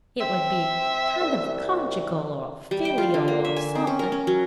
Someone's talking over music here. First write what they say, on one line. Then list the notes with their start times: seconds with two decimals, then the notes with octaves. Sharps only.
It would be kind of conjugal, or filial, or something.
0.21 C4 E5
1.21 C2
2.71 G3
2.85 G5
2.98 F4
3.14 D3
3.28 A#3
3.45 E5
3.56 G#5
3.75 C4
3.87 C#4
3.99 A#4
4.12 C#4
4.27 F#3